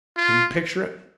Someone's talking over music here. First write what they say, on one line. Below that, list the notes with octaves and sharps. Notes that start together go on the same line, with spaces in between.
Can you picture it?
F4